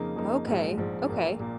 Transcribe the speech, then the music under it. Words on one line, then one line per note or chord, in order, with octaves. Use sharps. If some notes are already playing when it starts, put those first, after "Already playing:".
Okay, okay.
Already playing: F2 C#3 A#3 D#4
F2 C#3 A#3 D#4
A#1 G#2 F3
A#1 G#2 F3
A#1 A#2 A#3
A#2 A#3